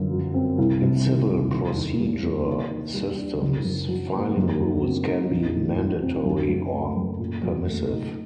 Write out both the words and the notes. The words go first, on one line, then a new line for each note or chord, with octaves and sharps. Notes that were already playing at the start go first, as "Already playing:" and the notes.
In civil procedure systems, filing rules can be mandatory or permissive.
Already playing: G1 F#2
F#3
C4
C2
C3
D#3
C2
D#2
D#3
G3
A#3
D#2
D#3
G3
D4
F#1
F#2
F#3
A#3
F#2
F#3
C4
D#4
A#1
A2
F#3
C4
F#2
F#3
A3
F#2
A#2
F#3
A3
D#4